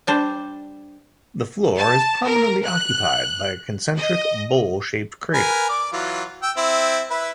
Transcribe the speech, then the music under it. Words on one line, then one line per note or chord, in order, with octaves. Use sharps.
The floor is prominently occupied by a concentric, bowl-shaped crater.
G3 D4 C5
A5
A#4
F#6
D#5
A#4 B4 G#5
D5 D6
E3 F#3 F4
G5 E6
C4 E4
E4 B4 E5